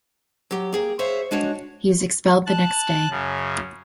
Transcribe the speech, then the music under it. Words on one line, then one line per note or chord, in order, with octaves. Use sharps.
He was expelled the next day.
F#3 G4
A#3 G#4 G5
G#4 C5 C#5 E5 F5
G#3 D4 F#4 C#5
A5 F#6
F#2 C#3